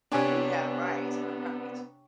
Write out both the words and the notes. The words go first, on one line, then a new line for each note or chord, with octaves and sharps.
Yeah, right, right.
C3 B3 D4 G4 C#5 G#5